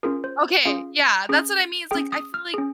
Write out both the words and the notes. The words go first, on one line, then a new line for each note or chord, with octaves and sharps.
Okay. Yeah, that's what I mean it's like, I feel like
C#4 F4 G#4 A#4
C5
C#4 F4 G#4 F5
C#4 G#4
C#4 G#4 G5
D#6
F6
C#4 G#4